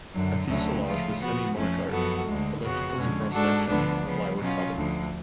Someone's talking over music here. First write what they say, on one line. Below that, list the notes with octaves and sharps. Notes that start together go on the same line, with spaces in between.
A fuselage was semi-monocoque, elliptical in cross-section, plywood-covered.
F#2 D3 F#3
D2 D3 F#3 A3 C#4
C#3 F3 A3 F4
F3 B3 F#4
F2 F3 A3 C#4
F#2 F3 B3 F#4 A4
D2 D3 G#3
F2 C#3 F3 B3 F#4
F2 D3 G#3 C#4
G#2 G#3 D4 F#4 A4
D2 D3 F3 B3 D4
C#3 F3 B3
B2 F#3 C#4 F4
D2 D3 F3